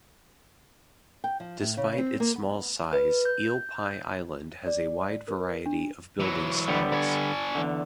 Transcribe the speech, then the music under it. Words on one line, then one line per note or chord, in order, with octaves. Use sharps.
Despite its small size, Eel Pie Island has a wide variety of building styles.
G5
F3
A2
C#3
C4
A#3
B3
B4
G6
D5
A#4
D4
E3 F#3
D3 G3 B3
D4 G#5
E2 D3